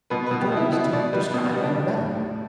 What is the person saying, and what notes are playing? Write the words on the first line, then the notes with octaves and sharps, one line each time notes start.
He told us to describe them better.
B2 B4
B2 B4
G4
B2 E4
B2 E4
B2 D5
G3 B4
B2 B3
G3 B3
D4
G3
A2
A2